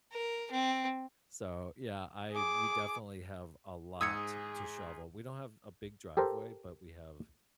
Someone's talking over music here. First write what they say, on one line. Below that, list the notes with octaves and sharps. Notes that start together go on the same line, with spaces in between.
So, yeah, I we definitely have a lot to shovel. We don't have a big driveway, but we have
A#4
C4
G#4 D6
G#2 G#4 D#6 E6 G#6 C#7
G4 A4 A#4 C5